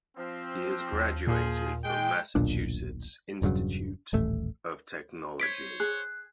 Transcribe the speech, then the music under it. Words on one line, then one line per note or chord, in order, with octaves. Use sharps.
He has graduated from Massachusetts Institute of Technology.
F3 C4
D#2
A#2 F3 F4 G#4
G#3 G5
D#1 B1 A#2 D4
E1 G2 C#3 F#3
D#1 A1 A3
C5 C#5 G#6 B6 D7
G#4 F#6